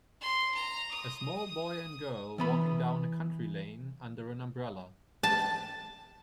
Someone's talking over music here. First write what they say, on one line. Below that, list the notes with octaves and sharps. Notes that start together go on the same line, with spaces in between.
A small boy and girl walking down a country lane under an umbrella.
C6
A#5
D#6
E3 B3 B5
A5